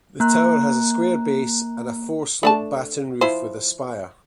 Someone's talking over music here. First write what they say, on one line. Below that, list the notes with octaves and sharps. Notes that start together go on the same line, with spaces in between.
The tower has a square base and a four-slope batten roof with a spire.
A#3 A#5 F#6
A3 D4 A5
F3 E4 C5